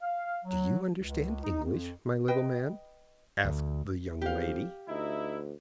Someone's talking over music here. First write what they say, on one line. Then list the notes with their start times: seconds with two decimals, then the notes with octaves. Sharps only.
"Do you understand English, my little man?" asked the young lady.
0.01 F5
0.44 F#3
1.00 C#2
1.42 D#4
1.63 F2
2.28 B4 D#5 G5
3.45 D2
4.21 F2 G4 F5
4.89 D2 D#4 E4